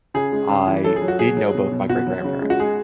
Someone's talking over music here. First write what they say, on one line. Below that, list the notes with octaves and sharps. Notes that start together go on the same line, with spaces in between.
I did know both my great-grandparents,
C#3 G#4
G#3
C#3
E3
F#3 A4
G#4
F#3
F#4
F#3 G#4
F#3
B2
B2
B2 F#4
F#3
C#3
G#3
F#4
G#3 G#4